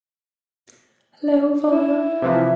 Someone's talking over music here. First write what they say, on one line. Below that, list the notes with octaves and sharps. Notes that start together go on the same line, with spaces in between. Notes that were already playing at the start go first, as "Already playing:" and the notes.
Low volume.
E4
C3 E3 F3 E5